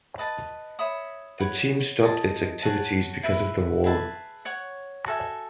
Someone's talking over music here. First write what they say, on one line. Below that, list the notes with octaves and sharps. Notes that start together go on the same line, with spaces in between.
The team stopped its activities because of the war.
B4 D#5 A5
C#5 E5 B5 D#6
C#5 F#5 B5
G#4 D#5 A5
G#4 C#5 F#5 A5
E4 B4 E5
G#4 B4 E5 A5
C#5 F#5 C#6
F#4 A4 E5 G#5